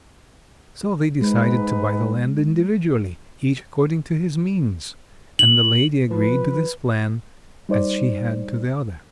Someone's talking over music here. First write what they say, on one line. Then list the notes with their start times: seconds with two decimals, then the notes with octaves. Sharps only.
So they decided to buy the land individually, each according to his means; and the lady agreed to this plan as she had to the other.
1.22 G#2 G#3 D#4 B4
5.39 F#7
6.11 F3 B4
7.69 G3 D#4 C5 D5